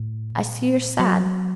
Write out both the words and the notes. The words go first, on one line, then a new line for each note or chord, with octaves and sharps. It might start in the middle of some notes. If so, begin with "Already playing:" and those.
I see you're sad....
Already playing: A2
A#2
F#3